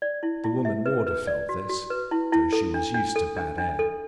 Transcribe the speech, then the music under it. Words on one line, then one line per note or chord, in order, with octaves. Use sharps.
The woman warder felt this, though she was used to bad air.
D5
E4
E4
E5
B4
B4
D5
F#4
F#4
B4
E4
E4
A4
D4
D4
A4
D4
D4
A4